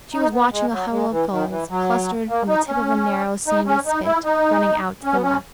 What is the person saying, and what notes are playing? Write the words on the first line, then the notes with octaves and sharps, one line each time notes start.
She was watching a huddle of gulls clustered on the tip of a narrow, sandy spit running out to the left.
D#4
B3
G#3
F#3
G#3
E3
D#3
E3
F#3
A#3
D#4
C#4
D#4
C#4
D#4
E4
D#4
C#4
B3
C#4